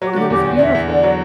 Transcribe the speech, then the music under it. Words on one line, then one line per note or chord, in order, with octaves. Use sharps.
and it was beautiful,
F#3 G4
F#4
D3 G4
E2 G4
E2
D5
E2 E5
E2
D3 D5
F#3